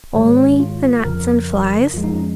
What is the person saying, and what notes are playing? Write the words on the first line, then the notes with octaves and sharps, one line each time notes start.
Only the gnats and flies?
G#2 D#3 G#3 C#5
F4
F2 C#3 F3 A#4
F2 F3 G#3 F4
D#4
C#4